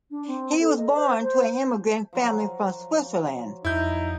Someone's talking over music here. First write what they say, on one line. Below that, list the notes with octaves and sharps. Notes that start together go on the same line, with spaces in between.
He was born to an immigrant family from Switzerland.
D4
C4
A4
D#5
C5
C5
F3 F#3
F2 D#4 E4 G6